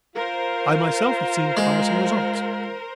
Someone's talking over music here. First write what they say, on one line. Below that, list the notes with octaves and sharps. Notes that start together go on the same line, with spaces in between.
I myself have seen promising results.
F4 A#4 C5
G#3